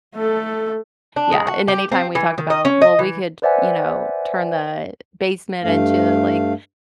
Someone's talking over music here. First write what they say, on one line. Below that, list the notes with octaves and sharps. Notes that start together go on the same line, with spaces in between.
Yeah, and anytime we talk about, "Well, we could, you know, turn the basement into, like,
A3 A4
D4
G#3
F#4
G4
C4
E3
D#3
D#5
C#4
D#5
E3
B4 C5 D5 E5 F#5 G#5
G2 A3 F5